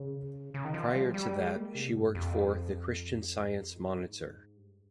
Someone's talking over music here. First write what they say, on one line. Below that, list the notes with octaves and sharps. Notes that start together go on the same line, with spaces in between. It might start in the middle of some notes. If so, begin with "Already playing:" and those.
Prior to that, she worked for "The Christian Science Monitor".
Already playing: C#3
C#3
D#3
F3
G3
G3
G#3
A#3
C3
G2
F2
G#2
G2